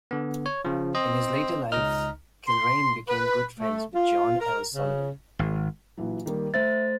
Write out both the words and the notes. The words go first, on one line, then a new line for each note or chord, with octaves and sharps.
In his later life, Kilrain became good friends with John L. Sullivan.
D3 B3
C#5
C#3 F3
C4 D#5
C#2 D#4 A#5 F6
C6
B4
A3
F4
A#4
C#3
G#1
A#1 E3 F#3
D#3 G3 A#3
A3 C5 E5 A6